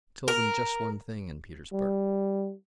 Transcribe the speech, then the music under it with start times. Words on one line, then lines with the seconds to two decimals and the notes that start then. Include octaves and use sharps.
"I told them just one thing in Petersburg."
0.28 A#4
1.73 G3